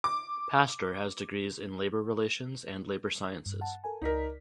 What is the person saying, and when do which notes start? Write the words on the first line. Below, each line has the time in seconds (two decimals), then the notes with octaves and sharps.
Pastor has degrees in Labour Relations and Labour Sciences.
0.04 D6
3.46 G2
3.61 F#5 A5
3.84 A4 A#4 G#5
4.02 C#2 D#4 A#4 D5 B6